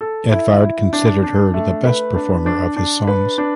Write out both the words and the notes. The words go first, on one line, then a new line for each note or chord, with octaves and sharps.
Edvard considered her the best performer of his songs.
A4
E4
E4
D4
D4
A3
B4
D4
D4
D4
B4
D4